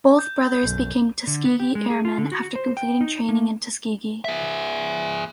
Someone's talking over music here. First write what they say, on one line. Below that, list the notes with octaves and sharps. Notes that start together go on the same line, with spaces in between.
Both brothers became Tuskegee Airmen after completing training in Tuskegee.
G6
B1 F#2
D3
B3
G4
G#3
G#4
F4
D3
F#4
C5
G5
D#4
A#3
G#4 E5